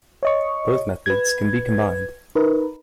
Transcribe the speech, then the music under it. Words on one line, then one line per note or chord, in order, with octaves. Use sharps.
Both methods can be combined.
C#5 D#5 C#6
B4 G#6
D#4 A#4 B4